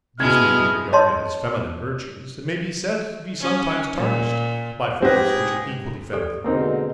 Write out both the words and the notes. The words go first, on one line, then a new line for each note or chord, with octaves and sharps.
These may be regarded as feminine virtues, and may be said to be sometimes tarnished, by faults which are equally feminine.
B2 G#3 E4 D#6 F6 G#6
C#5 D#5 A5 C6
C#4
A#2
G#2 C4 G4 G#4 B4 G5 A#6
G4 A4 D5
B2 D3 G#3 A#3 C4 D#4